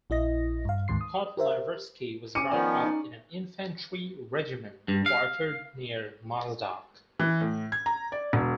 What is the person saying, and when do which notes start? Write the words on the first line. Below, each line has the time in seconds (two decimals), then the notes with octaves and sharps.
Kotlyarevsky was brought up in an infantry regiment quartered near Mozdok.
0.10 A#1 E4 D#5 A#6
0.65 G2 F5
0.88 D2 G#2 D#3 C6 C7
1.01 D#6
1.37 G4 A#4 C5 E5
2.35 C#4 D6 C#7 D#7
2.51 D#3 F3 B3 D5
2.84 D#4
4.88 G2
5.06 F5
7.20 E3
7.41 A2
7.72 G#6
7.86 A#5
8.12 D5
8.33 E1